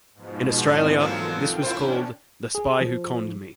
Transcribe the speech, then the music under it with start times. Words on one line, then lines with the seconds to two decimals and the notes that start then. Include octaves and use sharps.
In Australia, this was called "The spy who conned me".
0.14 G#2 B2 F3
0.65 E3 B3 C4 D4
0.99 F3 F#3 A#3 F4 A4 A#4
1.30 G5
1.63 C#4 D4 E4 F4 C5
2.55 G#4
2.81 F3